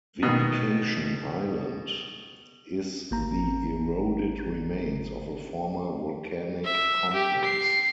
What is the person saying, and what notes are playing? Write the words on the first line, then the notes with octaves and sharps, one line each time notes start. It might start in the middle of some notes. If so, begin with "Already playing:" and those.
Vindication Island is the eroded remains of a former volcanic complex.
B2 D#3
G#1 A#3 A#5
E5
G4
C7